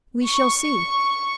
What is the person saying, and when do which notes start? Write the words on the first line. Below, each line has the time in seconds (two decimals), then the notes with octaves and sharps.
"We shall see."
0.24 C#6